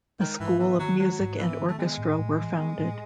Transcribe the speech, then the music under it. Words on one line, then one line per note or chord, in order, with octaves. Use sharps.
A school of music and orchestra were founded.
D#3 G#3
G#2 E3
E3 B3
D#3 F#3
F#3 G#3
G#2
E3 B3
D#3
A3
G#3 B3
A2
A2
E3
B3
A2